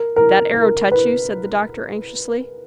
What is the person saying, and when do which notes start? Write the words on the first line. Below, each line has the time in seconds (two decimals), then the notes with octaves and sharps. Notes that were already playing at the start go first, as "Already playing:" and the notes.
"Did that arrow touch you?" said the doctor anxiously.
Already playing: A#4
0.16 A#4
0.54 A#4
0.92 B4